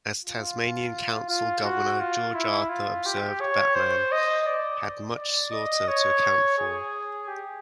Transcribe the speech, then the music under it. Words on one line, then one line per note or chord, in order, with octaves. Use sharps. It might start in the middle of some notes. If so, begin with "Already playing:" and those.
As Tasmanian Colonial Governor, George Arthur, observed, Batman "...had much slaughter to account for".
F4
F4
F#4
F4
E4
F4
G4
C#5
C5
D#5
D5
D5
D#5
C#5
G#4
G4